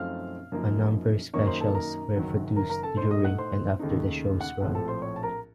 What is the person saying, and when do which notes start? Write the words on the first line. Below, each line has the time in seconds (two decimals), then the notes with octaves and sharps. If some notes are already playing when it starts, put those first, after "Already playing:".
A number specials were produced during and after the show's run.
Already playing: F#2 F3 A3 C4 D#4 F5 F6
0.52 F#2 F3 A#3 D#4
1.33 F#2 D#3 A#3 D#4 C#5 C#6
1.47 C5 C6
1.61 A4 A5
1.75 A#4 A#5
2.16 F#1 F#2 D#3 F#3
2.56 A#4 A#5
2.70 A#4 A#5
2.83 A4 A5
2.97 A2 A3 D#4 C5 C6
3.11 D#5 D#6
3.24 F#5 F#6
3.38 C5 C6
3.79 D#2 C#3 A3 D#4
4.41 F#5
4.61 A#1 A2 F3 C4 F#5
4.75 A4 A5
4.88 C5 C6
5.02 C#5 C#6
5.16 A5
5.23 A#4 A#5